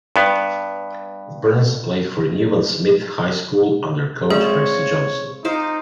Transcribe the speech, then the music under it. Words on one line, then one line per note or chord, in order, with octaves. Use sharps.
Burns played for Newman Smith High School under coach Percy Johnson.
G2 B3
G#3 C4 F4 G#4 C#5 D5
D#4 F4 C5 D6